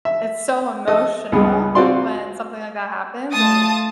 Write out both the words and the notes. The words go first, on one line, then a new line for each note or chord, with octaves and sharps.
it's so emotional when something like that happens and,
E5
A4 D#5
C#2 G2 B3 G#4
C4 F4 F#4 D5 C6
A3 F4 A5 D#6 A6